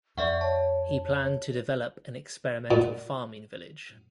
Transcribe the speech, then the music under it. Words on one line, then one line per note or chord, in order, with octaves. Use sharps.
He planned to develop an experimental farming village.
F2 D5 E5 F#5 C#6
C#5 A5
A#2